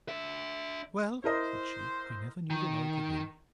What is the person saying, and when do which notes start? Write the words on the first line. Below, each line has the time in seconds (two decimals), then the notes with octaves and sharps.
Well, said she, I never knew the like of thee.
0.09 D4 E5
1.24 E4 A#4 C5 D#5
2.50 D#3